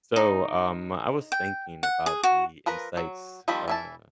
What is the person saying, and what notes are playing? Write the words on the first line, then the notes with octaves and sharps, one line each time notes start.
So, um, I was thinking about the insights, uh,
D#4
G5
F#5
G#4
F#4
F3 A#4 B4 A#5
F#3
D#3 F3 G3 C4 B5
E3 E4 A5